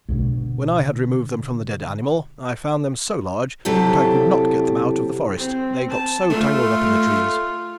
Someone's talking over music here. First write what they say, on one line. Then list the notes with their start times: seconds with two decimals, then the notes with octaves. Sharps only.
When I had removed them from the dead animal, I found them so large that I could not get them out of the forest, they got so tangled up in the trees.
0.09 B2 D3
3.65 C3 F#3 E4 G4 A4
5.36 C4
5.90 A5
6.30 A3 F4